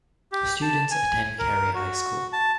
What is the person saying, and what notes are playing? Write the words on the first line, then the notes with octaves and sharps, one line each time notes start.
Students attend Carey High School.
G4
A5
G#5
A#4
F#4
A5